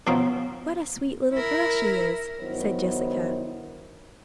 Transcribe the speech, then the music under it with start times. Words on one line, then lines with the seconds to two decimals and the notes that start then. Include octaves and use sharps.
"What a sweet little girl she is," said Jessica.
0.07 B2 F3 C4 C#4 D#4
1.33 E4 A#4
2.39 G2 D#3 F#3 B3 E4 C5